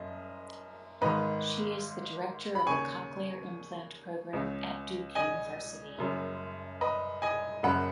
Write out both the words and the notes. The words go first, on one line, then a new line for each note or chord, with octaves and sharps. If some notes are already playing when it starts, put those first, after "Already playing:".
She is the director of the cochlear implant program at Duke University.
Already playing: F#1 F#2 D#5
G#1 G#2 D#3 B4 D#5
B5
D#2 C#3 G#5 C#6
C#2 C#3
D#5 G#5
F#1 F#2 C#3
B4 D#5
D#5 G#5
F#1 F#2 C#3 F#5 B5